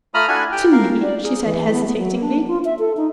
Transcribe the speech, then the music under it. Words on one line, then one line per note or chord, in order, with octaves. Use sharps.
"To me?" she said, hesitatingly.
A3 F4 A#5 B5 D#6 F6
D4 E4 F#4 A4 E5 G#5
G4 G5
A#4 F5
D5
G#4
E3
B3
B3
F#3
D4
F4
E5
A4
D#4